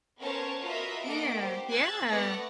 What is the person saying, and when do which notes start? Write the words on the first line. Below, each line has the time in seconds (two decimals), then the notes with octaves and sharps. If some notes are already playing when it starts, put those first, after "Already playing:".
Yeah. Yeah,
0.19 B3 C#4 A#4 C5 C#5 A5
0.63 F4 F#4 A#4 B4 D#5 E5
1.04 A#3 D4 A4 D#5 F#5 D7
1.36 G4 C5
1.71 E6 F#6 G#6 A6
2.09 A3 B3 D5 A#6 C#7